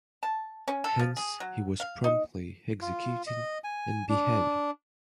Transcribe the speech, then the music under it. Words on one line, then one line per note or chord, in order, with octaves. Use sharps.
Hence he was promptly executed and beheaded.
A5
C#4
A4
F3
G#4
F#3
F5
D#4
F4
D#5
G#5
D4